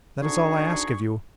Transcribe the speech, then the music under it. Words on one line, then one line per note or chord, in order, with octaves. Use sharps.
That is all I ask of you.
D2 D3 D4 D#4 G#4 C#6